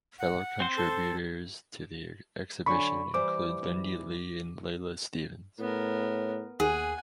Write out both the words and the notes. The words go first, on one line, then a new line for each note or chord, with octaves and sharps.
Fellow contributors to the exhibition include Lindy Lee and Leyla Stevens.
F#5
C4 C5
A4
D3 F#3 G#5 B5 C#6
E3 G3 C5 D6
A2 B3 A#4
D#2 G#4 F#5 G#5